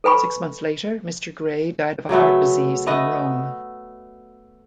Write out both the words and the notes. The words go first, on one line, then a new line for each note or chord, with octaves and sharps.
Six months later, Mr. Gray died of a heart disease in Rome.
A4 B4 G#5 B5 C#6
C#3 F#3 A3 B3
A3 B3 D#5